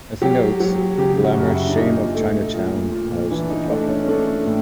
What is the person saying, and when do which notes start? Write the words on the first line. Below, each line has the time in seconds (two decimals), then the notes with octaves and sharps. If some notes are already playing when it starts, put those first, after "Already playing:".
As he notes, "the glamorous shame of Chinatown has departed".
0.22 F#3 G4
0.60 F#3
0.98 C#3 G4
1.24 F#4
1.37 F#2
1.50 E4
1.68 D4
1.76 A#2 D#4
2.15 A3
2.54 A#2
2.92 A#2
3.31 E3 D4
3.49 D#4
3.70 A3 D4
3.88 C#4
4.02 C#4
4.08 A3 D4
4.46 A2